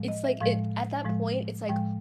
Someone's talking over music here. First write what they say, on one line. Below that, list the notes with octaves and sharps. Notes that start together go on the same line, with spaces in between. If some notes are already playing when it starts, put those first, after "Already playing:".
it's like it At that point, it's like,
Already playing: A2 F3 G#3
D#5
E5
A2 F3 G#3 F5
A2 F3 G#3
A2 F3 G#3 G5